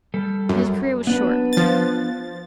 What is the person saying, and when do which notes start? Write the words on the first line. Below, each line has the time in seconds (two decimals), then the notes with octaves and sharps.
His career was short.
0.14 G3 A4
0.49 F#2
1.07 B3 D4 B4
1.53 F3 A6